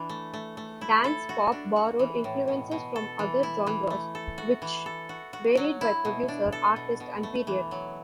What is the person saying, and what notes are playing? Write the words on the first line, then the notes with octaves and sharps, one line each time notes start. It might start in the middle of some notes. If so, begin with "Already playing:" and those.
Dance-pop borrowed influences from other genres, which varied by producer, artist and period.
Already playing: E3 D4
A3
A3
A3
E4
A4
F#4
D4
F#4
E3
A2
B2
B2
A4
E3
E4
E3
A3
A4
F#4
E3
A4
F#4
F#4
F#3
E4
B2
D4
A4
B2
B2
A3
E3
F#3